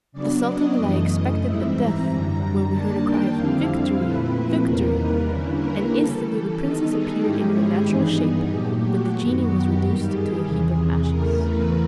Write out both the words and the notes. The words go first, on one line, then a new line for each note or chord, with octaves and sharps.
The sultan and I expected but death, when we heard a cry of "Victory! Victory!" and instantly the princess appeared in her natural shape, but the genie was reduced to a heap of ashes.
C#3 F#3 B3 D4 D5
D#5
F#2 C#3 E3 A3
G#2 E3 G3 C4 E4 E5
A#5
F#2 D3 G3
D#3 G3 A#3 D4 A5
G5
F2 D3 G3 C4 E4 F5
A#2 F3 A3 C4 E4 B4
E2 C3 D#3 G3 A#3 A#4
B4
D3 G3 A#3 C#4 E4
A#4
C#3 E3 G3 A4
D#3 G3 B3 D#4
G#4
G#2 D#3 G#3 C#4 E4 G4
G#4
G2 E3 G3 B3 D#4
A#2 F#3 A3 G4
F#4
F#2 D#3 F#3 B3
G4
G2 D#3 G3 G4
G#4
E2 C3 E3
E2 C#3 E3 A3 A#4
B4